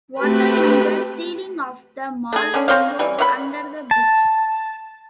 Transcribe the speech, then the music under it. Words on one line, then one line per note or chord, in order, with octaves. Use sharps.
Water in the ceiling of the mall flows under the bridge.
A3 C4 F#4 G4 B4 B5
A3 G#4
D3 C#4
C4 C5 C#5 F5
E3 G3
C#5 E5 F5 B5
A5